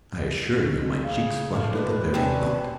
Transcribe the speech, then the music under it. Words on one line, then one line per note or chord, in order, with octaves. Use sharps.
I assure you my cheeks flushed at the very thought.
F2
C#3
A2 F3 D4
G3 G#3 B4 D5
C3 C#4 D4
B2